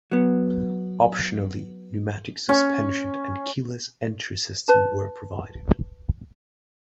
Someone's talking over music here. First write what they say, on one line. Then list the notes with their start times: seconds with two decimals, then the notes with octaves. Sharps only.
Optionally, pneumatic suspension and keyless entry system were provided.
0.12 F#3 B3
2.49 C#4
4.68 B4 A5